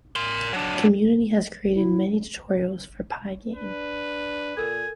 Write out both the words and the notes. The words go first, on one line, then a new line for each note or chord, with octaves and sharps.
The community has created many tutorials for Pygame.
A#4 C6
F#3 D4
E4
D4 B4
A#2 A4 A#4 G#5